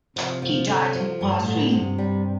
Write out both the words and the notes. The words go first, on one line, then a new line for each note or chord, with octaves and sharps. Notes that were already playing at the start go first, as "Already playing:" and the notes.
He died in Qazwin.
C3 F3
F3
D3
F3
G2
A2
D3
G2 C3
G3